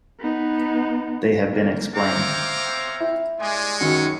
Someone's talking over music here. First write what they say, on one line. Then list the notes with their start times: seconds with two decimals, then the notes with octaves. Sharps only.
They have been explained.
0.20 B3 D#4
1.52 A#3
1.96 C5 C#5 E5 F5 G5 A#5 D6
3.00 E4
3.40 G#3 D5 D#5 G#5 C6
3.81 F#2 D#3 C#4 A#5 C#7